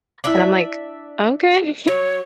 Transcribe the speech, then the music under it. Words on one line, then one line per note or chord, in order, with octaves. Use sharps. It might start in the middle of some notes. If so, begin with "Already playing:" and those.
and I'm like, "Okay.
D4 E4 D5 E5 D6
F#3 C#5